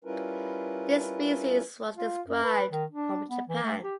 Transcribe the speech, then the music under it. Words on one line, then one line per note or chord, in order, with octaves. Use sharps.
This species was described from Japan.
G3 C#4 E4 F4 A#4 B4
F4
F#2
B4
D#3
D4
B3
E3
A3
G4